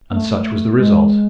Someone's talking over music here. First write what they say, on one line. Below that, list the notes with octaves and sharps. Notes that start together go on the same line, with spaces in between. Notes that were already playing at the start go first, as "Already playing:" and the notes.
And such was the result.
A#3
A3
G#3